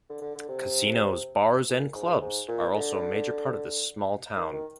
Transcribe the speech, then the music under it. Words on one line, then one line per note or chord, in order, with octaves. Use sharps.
Casinos, bars, and clubs are also a major part of this small town.
D3
D3
D3
C3
A#2
G#2
G#2
A#2
D3
D#3
D#3